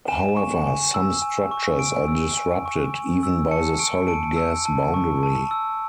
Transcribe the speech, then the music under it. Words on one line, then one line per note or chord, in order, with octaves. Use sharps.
However, some structures are disrupted even by the solid-gas boundary.
G#5 E7
C#6
G#5
E6
G#5
C#6
G#5 D7
E6
G#5
C#6
G#5
E6
A5 C#7
C#6 D7
A5 D7
E6
A5
C#6
A5
E6